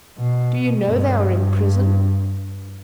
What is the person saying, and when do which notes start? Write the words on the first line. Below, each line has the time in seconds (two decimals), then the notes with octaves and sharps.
"Do you know they are in prison?"
0.18 B2
0.84 G2